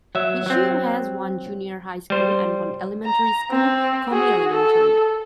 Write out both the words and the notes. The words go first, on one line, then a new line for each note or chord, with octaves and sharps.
Ichiu has one junior high school, and one elementary school, Komi Elementary.
F#3 E5
F#3 C4
G3 C5
A#5
C4
F#4 G#4
A4